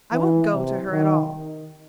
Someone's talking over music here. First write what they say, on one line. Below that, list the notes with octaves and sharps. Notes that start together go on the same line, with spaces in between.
I won't go to her at all.
E3
C3
D#3